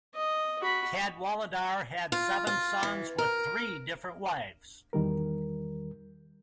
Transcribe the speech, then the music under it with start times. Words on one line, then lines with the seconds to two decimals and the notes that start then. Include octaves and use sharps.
Cadwaladr had seven sons with three different wives.
0.14 D#5
0.61 F#4 B5
2.12 F4
2.47 F4
2.83 E3
3.18 A#4
4.93 E2 D#3 G3 A#4